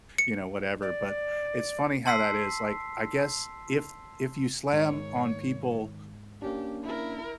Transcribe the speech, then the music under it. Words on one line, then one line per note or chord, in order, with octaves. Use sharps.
you know, whatever. But, it's funny how that is, like, I guess if if you slam on people
C#7
D5
A5 C6 E6 B6 C7
G#1 G#2 D#3 C#5
A#3 C#4 D4 G4
E4 A#4